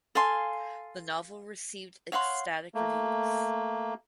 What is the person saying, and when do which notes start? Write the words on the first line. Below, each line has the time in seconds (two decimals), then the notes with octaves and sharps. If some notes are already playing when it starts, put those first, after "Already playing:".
The novel received ecstatic reviews.
0.15 A4 F5 G#5 C6
2.12 C#5 F5 F#5 C6
2.74 A3 A#3